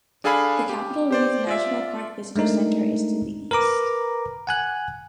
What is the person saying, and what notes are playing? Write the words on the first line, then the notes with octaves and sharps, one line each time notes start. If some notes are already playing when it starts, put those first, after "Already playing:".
The Capitol Reef National Park Visitors Center is to the east.
D4 G#4 A4 F5 G#5 B5
G4
G4 C5 D5
F4 D5 E5
G#3 A3 D4 D#4 A#4
A#4 B4 A#5 D6
F#5 G#5 F#6